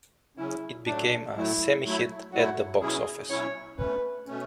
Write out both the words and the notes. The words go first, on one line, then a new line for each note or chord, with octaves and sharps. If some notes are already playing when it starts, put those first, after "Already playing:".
It became a "semi-hit" at the box office.
C#3 F#3 C#4 E4
A2 F#3 A3 D4
A2 F#3 A3 E4
F#3 A3 E4
F#3 A3 E4 F#4
B2 F#3 C#4 E4 G#4
B2 F#3 C#4 E4 C#5
B2 A3 C#4 B4
B2 A3 C#4